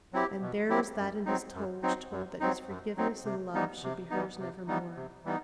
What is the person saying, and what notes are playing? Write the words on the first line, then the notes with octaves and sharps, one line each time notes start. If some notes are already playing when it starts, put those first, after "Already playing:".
And there was that in his tone which told that his forgiveness and love should be hers nevermore.
F#3 C4 E4 G4
B2
F#3 C4 E4 G4
F#2
F#3 C4 D#4
F#2
F#3 C4 D#4
F#2
F#3 C4 D#4
F#2
F#3 C4 D#4
C3
E3 G3 B3 D#4
C3
E3 G3 B3 D#4
C3
E3 G3 B3 D#4
C3
E3 G3 B3 D#4